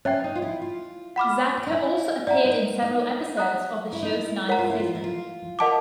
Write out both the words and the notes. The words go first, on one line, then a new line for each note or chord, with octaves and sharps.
Zabka also appeared in several episodes of the show's ninth season.
C#4 C#5 E5 G5
D#4
F4
E4
F4
F#5 B5 D6 F6
D#4
E4
E4 D5 F#5 A#5
D#4
D#4
F#5 A#5 D#6 F#6
E4
D#4
E4
A#4 C#5 F#5 A#5
F4
E4
F4
E4
F4
A#4 D#5 F#5 A5 D6